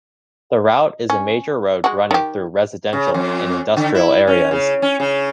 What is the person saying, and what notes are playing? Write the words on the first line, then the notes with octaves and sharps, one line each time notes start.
The route is a major road running through residential and industrial areas.
C#4
G#3 F#4
D#3 G4
C#3
F2
D3
E4
C#4
C#3
C#4
C#3